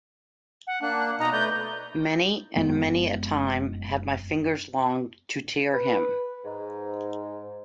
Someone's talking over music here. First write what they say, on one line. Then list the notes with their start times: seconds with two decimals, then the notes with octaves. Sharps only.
Many and many a time had my fingers longed to tear him.
0.67 F#5
0.82 A#3 D4 F#6
1.20 B2 D#4 D#5 A#5
1.32 A3 B4 D5 G6
2.56 F1 F#2 G#3 B3
5.73 B4
6.45 G#2